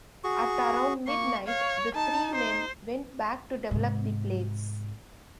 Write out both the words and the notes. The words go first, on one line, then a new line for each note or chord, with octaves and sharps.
At around midnight, the three men went back to develop the plates.
F#4 G#4 C#6
A#3 C#6
C#5 F5
D#4 A5
C5
G#2 C3